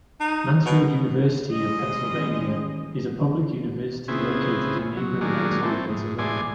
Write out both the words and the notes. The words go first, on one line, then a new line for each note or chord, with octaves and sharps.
Mansfield University of Pennsylvania is a public university located in neighboring Mansfield, Pennsylvania.
D#4
B2
G3 G#3 D#5
D#3 E3 C#4
C#3 B3 C4 E4 G#4
F#3
D#3 F#3 G#3 A#3 D4
E3 A3 C4
G#2
A2 E3 G#3 D5 G#5 C6